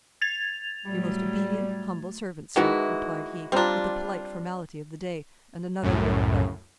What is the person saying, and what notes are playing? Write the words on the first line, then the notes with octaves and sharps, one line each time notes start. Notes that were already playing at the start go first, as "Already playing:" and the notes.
"Your most obedient, humble servant, sir," replied he, with the polite formality of the day, and another grave bow.
G#6 A6 F7
A2 F#3 G3 A3
D#3 E3 G#3 E4 F#4 B4
G3 C4 D4 F4 A#5
C2 F#2 A2